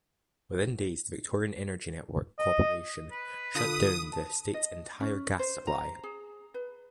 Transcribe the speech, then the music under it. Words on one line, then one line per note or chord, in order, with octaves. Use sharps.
Within days, the Victorian Energy Network Corporation shut down the state's entire gas supply.
D#5
B4
D3 F4 A4 D#6
A5
D#5
C#4
C5
A#5
G#4
B4